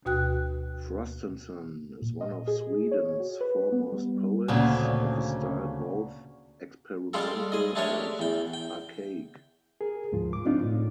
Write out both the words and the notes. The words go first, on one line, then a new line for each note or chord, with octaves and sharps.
Frostenson is one of Sweden's foremost poets, of a style both experimental and archaic.
D2 B2 F#4 G5 F#6
A#2
D#5
G#4
C#5
F#4
B4
B3
G3
D2 A#2 C#3 C4
G3 G#3 F4 G4 A4
G#4 D#5
G#3 A3 D4 G4 A#4 C#5
E2 G5
G5
G#4 A#4
D2 G#2 F3 F4
D6
C4 D4 D#4 F4
A2